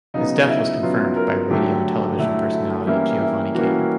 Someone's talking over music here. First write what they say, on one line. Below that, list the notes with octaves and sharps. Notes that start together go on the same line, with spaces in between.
His death was confirmed by radio and television personality Giovani Caleb.
C#3 F#3 B3 D#4
E4
C#3 F#3 B3 F4
A#4
D3 F#3 A3 G4
D3 F#3 A3 E4
E4
E3 G3 A#3 C#4 E4
E4
E3 G3 A#3 C#4 F#4